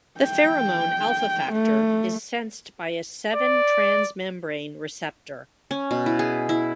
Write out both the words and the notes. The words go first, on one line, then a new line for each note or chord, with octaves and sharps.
The pheromone alpha-factor is sensed by a seven transmembrane receptor.
G5
A3
D5
C#4
B2
E4
G#4
E4